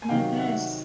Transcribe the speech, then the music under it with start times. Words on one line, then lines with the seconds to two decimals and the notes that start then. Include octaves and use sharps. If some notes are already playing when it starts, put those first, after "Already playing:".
Oh my gosh.
0.02 G#5
0.08 C3 D#3 F#3 F5 G5
0.39 E5 F#5